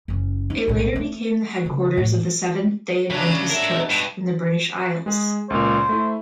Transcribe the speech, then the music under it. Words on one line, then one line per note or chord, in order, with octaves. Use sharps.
It later became the headquarters of the Seventh-day Adventist Church in the British Isles.
F#1 C#4
D#4
B1 A2
A3
C#3 B3
A2
A2 C#3 F#3 D4
A#4 E5
B2
G2
G#3 G#4
C#2 A#2 C5
A3 E4